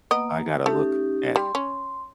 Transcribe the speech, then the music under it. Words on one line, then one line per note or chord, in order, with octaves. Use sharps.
I gotta look at
A#3 B3 D#5
A3 C#4 D#4 G4
G3 C6
C#4